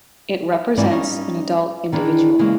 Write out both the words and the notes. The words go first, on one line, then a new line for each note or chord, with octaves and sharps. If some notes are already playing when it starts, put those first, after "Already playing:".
It represents an adult individual.
G#2 E3 A#3 C4 D5 G#5
G3 C#4 D#4
D#3 E3 D4 D#4 G#4
C#3 E3 G#3 A#3